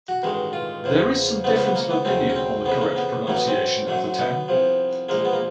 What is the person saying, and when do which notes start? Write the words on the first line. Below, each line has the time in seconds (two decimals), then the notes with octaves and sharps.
There is some difference of opinion on the correct pronunciation of the town.
0.08 F#4
0.23 A1 G2 D#3 G#3
0.53 F4
0.84 E2 C#3 F3
1.44 C#2 C#3 F3 A3 B3
1.55 B3
1.65 B3
1.75 A#3
1.91 B3
2.05 D#2 C#3 F#3 A3 C4
2.29 C#4
2.36 C4
2.65 F2 C#3 E3 B3
2.81 A#3
2.96 B3
3.27 A1 A2 F#3 A3 A#3
3.36 B3
3.47 C4
3.87 F#2 D3 F#3 A3
4.18 B3
4.48 C2 C3 F3
5.09 A#1 A#2 F3 G#3 A#3
5.25 B3
5.33 A#3